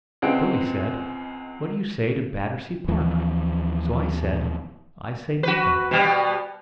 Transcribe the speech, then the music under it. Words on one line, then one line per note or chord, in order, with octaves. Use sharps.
So he said, 'What do you say to Battersea Park?' So I said, 'I say nothing.
C#2 G#3 B3 C4 F#5 D7
D#2 E3 F3
F#4 B4
B2 G3 B3